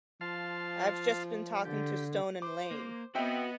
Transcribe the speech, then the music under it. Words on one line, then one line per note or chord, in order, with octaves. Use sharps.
I've just been talking to Stone and Lane.
F3 F5 A5 C6
D3 G4
C5 D6
A#3
B3 C4 F#4 D#5 E5 G5